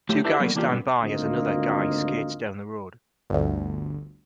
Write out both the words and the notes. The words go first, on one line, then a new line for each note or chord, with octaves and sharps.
Two guys stand by as another guy skates down the road.
A2 F#3 A3 G4
D4 E4 G4 A4 B4 E5
D3 F#3 A#3 B3
E3 A#3 D4 F4 G4
G2 B2 D3 B3
G#1 D2 A#3 F4 D#5
G1 D2